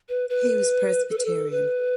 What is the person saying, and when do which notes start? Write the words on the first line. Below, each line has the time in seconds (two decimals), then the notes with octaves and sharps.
He was Presbyterian.
0.09 B4
0.30 B4
1.10 A4
1.18 B4
1.25 A4
1.51 B4